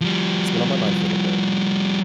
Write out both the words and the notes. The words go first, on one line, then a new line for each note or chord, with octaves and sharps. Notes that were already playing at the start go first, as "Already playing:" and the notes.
it's been on my mind for little bit
F3 G3